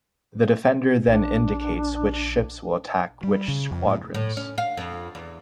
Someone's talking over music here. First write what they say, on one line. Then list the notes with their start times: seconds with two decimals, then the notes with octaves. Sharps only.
The defender then indicates which ships will attack which squadrons.
1.08 A#1 D4
3.23 G3
3.48 C#3
3.71 F2
3.86 A2
4.14 A2
4.37 C#4
4.58 F5
4.77 F2
5.15 E2